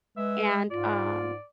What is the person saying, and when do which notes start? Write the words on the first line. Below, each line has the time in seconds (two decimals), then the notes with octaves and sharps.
and, um,
0.17 G#3 B4 E5
0.71 G#2 F4 D5